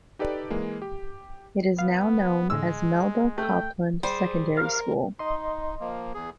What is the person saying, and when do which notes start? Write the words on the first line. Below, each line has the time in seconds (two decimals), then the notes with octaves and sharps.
It is now known as Melba Copland Secondary School.
0.19 D#4 G4 A4 B4 D5
0.50 E3 G#3 A#3
0.82 G4
1.78 B3 F5
2.50 E2 A2 D3 G#3 E6
3.38 A3 G5
4.03 G3 G#4 C5
4.57 A#4 F5
5.19 D#4 D#5 C6
5.80 F3 A#3
6.14 E2 G#4